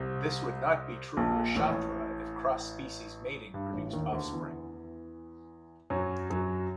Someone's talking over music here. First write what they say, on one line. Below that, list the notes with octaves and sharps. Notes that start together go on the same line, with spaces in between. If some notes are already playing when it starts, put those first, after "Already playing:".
This would not be true rishathra if cross species mating produced offspring.
Already playing: C2 C3
A#1 A#2
A1 A2
G2
A1 A2
D#2 D#3
D2 D3
E2 E3
F#2 F#3
F#2 F#3